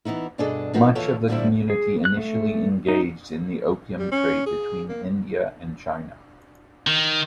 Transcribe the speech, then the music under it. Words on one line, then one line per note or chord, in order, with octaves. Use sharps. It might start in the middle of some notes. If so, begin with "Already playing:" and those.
Much of the community initially engaged in the opium trade between India and China.
E3 B3 D#4 E4
G2 B2 D4 G#4 A4 D#5
F3 C4 D#4 F#4 A#4 B4
D#2 E3 F4 A4 C#5 G5
A#2 D3 G3 C4 E4 E5
G#4
F#6
A3
D#4
G3
C#4
G#4
A#3
D#3